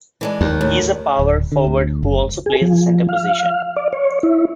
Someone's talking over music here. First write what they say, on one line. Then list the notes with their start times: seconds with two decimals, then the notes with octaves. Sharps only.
He is a power forward, who also plays the center position.
0.21 E3 G#3 D4
0.41 D#2
0.61 A2
1.19 D1
1.52 D3
1.67 D2
2.03 F#1
2.46 G#4
2.61 F3
3.09 F5
3.76 D5
3.93 C#5
4.23 E4